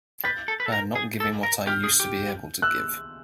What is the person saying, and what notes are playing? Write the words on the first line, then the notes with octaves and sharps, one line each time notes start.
I am not giving what I used to be able to give.
B4 G6 A6
A4
B4
A4
A#4
G#4
A4
A#4
G4 F6 G6
G#4
G4
E6 F#6